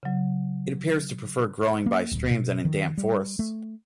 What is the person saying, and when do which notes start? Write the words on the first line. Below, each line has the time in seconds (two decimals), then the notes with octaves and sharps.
It appears to prefer growing by streams and in damp forests.
0.03 C#3 F#3
1.86 A#3
2.11 D1
2.31 B2
2.65 D#3
2.98 G3
3.39 A3